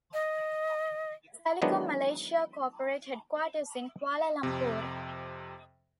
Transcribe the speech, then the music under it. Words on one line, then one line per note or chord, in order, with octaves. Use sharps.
Telekom Malaysia corporate headquarters in Kuala Lumpur.
D#5
D#3 E3 F#3 G#3 B3 D4
F2 C3